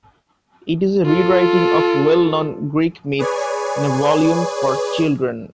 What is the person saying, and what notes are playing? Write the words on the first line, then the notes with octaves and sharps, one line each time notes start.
It is a re-writing of well-known Greek myths in a volume for children.
F4 A4
G#4 B4 C#5 D5 G#5